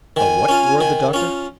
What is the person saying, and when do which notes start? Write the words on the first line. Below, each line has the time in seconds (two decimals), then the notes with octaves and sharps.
"A what?" roared the Doctor.
0.16 D#3 G#5
0.48 C#4 F4
0.81 D#3
1.14 C#4 F4